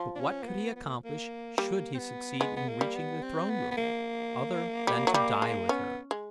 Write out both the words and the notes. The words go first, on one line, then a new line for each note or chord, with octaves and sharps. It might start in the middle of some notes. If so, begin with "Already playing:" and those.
But what could he accomplish should he succeed in reaching the throne room, other than to die with her?
Already playing: F3
D4
C#4
A#3
B3
B3
A#3
A#3
G3 A#3
C4
B3
G#3 B3
B3
A#3
G3
B3
C4
B3
B3
A#3
G3
F#3
G3
G#3
B3 C#4
G#3